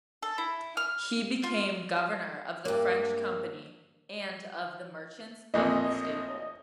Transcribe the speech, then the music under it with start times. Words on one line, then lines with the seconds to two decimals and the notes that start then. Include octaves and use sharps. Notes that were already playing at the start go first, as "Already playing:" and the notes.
He became Governor of the French Company and of the Merchants of the Staple.
0.22 A4
0.38 E4
0.77 F6
1.44 F4
2.65 G2 A#3
5.54 A1 F2 A#2 D#5